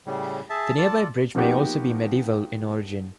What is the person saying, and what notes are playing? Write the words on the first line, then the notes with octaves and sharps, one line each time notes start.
The nearby bridge may also be medieval in origin.
A2 C#3 G3
G#4 E5 A5
F4 A4 D5
F3 A#3 B3 D#4 F#4 G4